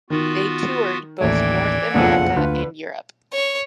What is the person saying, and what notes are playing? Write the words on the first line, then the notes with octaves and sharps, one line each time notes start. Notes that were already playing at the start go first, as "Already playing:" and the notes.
They toured both North America and Europe.
D#3 B3 F4 F#4
A1 D#2 E3 A3 D5 G5 G#6
F#1 B1 F2 D4 F4 G#4 A4 F#5
D2 D3 F4 B4 F#5
C#5